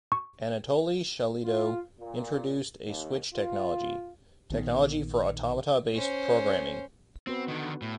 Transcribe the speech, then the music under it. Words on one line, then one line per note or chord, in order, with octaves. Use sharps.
Anatoly Shalyto introduced a Switch-technology - technology for Automata-Based Programming.
C#6
F4
A#2
D#2
F4
A#1 D#3 B3
C#4 C5
B3 C4 F#4 B4
D3 D#3
A2